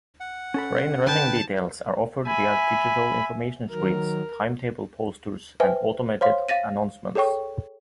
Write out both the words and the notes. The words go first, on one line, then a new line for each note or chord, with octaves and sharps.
Train running details are offered via digital information screens, timetable posters and automated announcements.
F#5
C#4 A4 B5
D3 B4 G5 A5 G6
E5 G#5 B5
D#3 F#3 A#4
B4 C5 E5 G5 G#5
C5 C#5 F5 C6
F5 A6 A#6 D#7
G#4 A4 C#5 G5 C#6